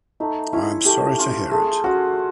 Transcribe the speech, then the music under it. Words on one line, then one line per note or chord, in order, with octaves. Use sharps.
I am sorry to hear it.
A3 D#4
C#4 E4 F4
A3 G4
C#4 F4
A3 G#4
C#4 F4 F#4